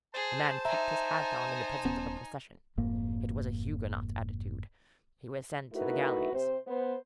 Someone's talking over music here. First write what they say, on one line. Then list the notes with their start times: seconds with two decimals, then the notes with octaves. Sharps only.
A man kept his hat on in the presence of a procession--it was a Huguenot attitude; he was sent to the galleys.
0.14 G#4 C5 A5
0.65 D#4 E5 G#5 A#5
1.85 D#1 B3 C#4
2.77 F1 G#2 A#3
5.73 A3 D#4 E4 F#4 A#4 B4
6.32 C3 C5
6.67 B3 C5